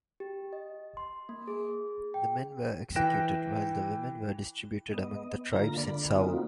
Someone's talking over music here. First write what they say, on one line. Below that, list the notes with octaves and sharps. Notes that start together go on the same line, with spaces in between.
The men were executed while the women were distributed among the tribes in Zhao.
G4
D#5
C6
A#3
G#4
G5
E3 G5 F#6 A#6 D7 E7
B3 D#5
D3 A#3 F4 A#5 A#6
D3 D5 B5
A#3 C4 D#4 F4 F#4